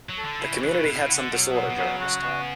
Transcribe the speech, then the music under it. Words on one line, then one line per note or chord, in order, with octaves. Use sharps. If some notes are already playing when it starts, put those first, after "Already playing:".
The community had some disorder during this time.
F#3
A4
D3
C#3 E4
F#3
E3 B4
D3
C#3
B2 E4
C#3
F#5
D3
B2 F#3
B3
B2
C#3 F#3
F#4
B3